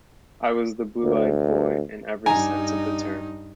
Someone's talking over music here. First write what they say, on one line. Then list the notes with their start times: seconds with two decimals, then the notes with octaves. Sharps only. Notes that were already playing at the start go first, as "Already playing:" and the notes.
I was the blue-eyed boy in every sense of the term.
1.04 D2
2.26 G2 D#4 G#5 A#5